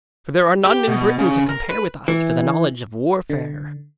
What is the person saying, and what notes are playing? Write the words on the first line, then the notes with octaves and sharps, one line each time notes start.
For there are none in Britain to compare with us for the knowledge of warfare.'
G4
B2
C#3
A#4
B4
E3
D3